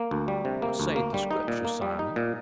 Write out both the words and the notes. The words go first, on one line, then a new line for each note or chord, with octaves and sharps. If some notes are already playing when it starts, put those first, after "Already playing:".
What saith the Scriptur', Simon?
Already playing: A#3
D2
G3
C3
A#3
D2
A#3
G3
D#4
A#2
A#3
G3
D#4
A#2